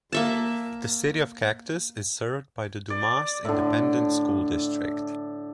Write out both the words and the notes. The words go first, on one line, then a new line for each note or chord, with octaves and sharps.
The City of Cactus is served by the Dumas Independent School District.
A#3 E5 A5
D5
A2 D3